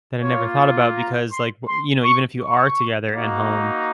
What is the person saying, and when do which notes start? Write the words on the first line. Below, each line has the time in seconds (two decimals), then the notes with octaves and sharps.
that I never thought about because, like, w you know, even if you are together at home,
0.21 A#3 F4 C#5
0.94 A#5
1.30 C6
1.67 C6
2.03 C#6
2.40 C#6
3.13 A#3 D#4 F#4